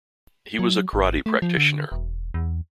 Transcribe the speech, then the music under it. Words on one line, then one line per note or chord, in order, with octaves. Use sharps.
He was a karate practitioner.
F#3
G#1
A3
F3
D3
E1
E2